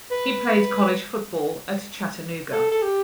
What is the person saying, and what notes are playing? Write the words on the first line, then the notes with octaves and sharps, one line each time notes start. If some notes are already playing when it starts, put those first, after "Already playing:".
He played college football at Chattanooga.
B4
A4
A4
G4